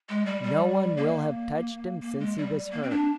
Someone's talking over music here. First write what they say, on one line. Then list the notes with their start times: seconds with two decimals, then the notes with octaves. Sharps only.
No one will have touched him since he was hurt.
0.09 G#3
0.26 G3
0.43 G3
0.97 A#3
2.01 A#3
2.20 G#3
2.37 G3
2.72 A#3
2.83 C4
2.90 D4